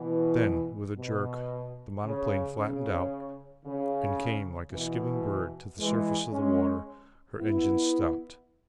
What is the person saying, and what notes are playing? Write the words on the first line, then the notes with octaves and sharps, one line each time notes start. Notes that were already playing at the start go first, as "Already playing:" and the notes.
Then with a jerk the monoplane flattened out and came like a skimming bird to the surface of the water; her engines stopped.
Already playing: B2 E3
B2
C#3
C#3
C#3
B2 E3
E3 G#3
G#3 C#4
B3 E4